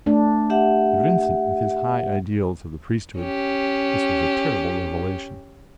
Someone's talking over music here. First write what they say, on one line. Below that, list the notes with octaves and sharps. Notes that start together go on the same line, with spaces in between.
To Vincent, with his high ideals of the priesthood, this was a terrible revelation.
A3 D4
G4 E5 F#5
C#4 G4